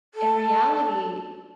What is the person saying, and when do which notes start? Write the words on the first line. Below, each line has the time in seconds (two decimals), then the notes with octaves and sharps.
in reality,
0.14 A4